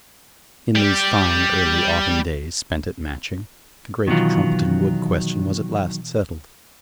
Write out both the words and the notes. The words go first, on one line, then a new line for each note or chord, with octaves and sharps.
In these fine early autumn days spent at Matching, the great Trumpeton Wood question was at last settled.
G3 G4
B2 D#3 E3 F#3 F4